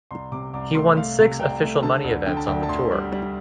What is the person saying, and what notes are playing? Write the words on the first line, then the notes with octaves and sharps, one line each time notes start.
He won six official money events on the tour.
C2 C6
C3 D6
C2 D6
A3 C6
A3 F5
C3
C2 G5
A3
D3 A5
D2
D3 G5
A5
D2 G5
A5
D2 C6
G3
G3